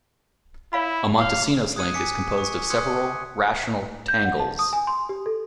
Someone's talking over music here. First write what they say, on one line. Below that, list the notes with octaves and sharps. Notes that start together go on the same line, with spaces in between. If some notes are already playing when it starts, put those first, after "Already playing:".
A Montesinos link is composed of several rational tangles.
E4 C#5 F5 B5
C#5 F5 A5 D6
D#6 F#6 G#6 C#7 D#7
G#5 D6 D#6 B6 C#7
C#6
C6 D#6 E6 F#6 G#6 C#7
G6
F#5
A5
D#6
G#5
C6
G4
A4